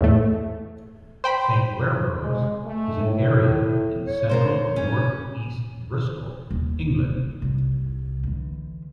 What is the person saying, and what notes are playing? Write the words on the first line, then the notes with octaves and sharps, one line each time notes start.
Saint Werburgh's is an area in central north-east Bristol, England.
E2 A2 A3
C5 G5 B5
G#3
A3
A2
C#5
F4 A#4 C5
C#4
D#1
C2
D3 E3